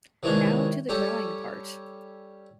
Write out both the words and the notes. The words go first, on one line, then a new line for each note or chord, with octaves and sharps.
Now to the drawing part.
C3 D#3 E3 G#3 C#4 D4
G3 C#4 G4 A4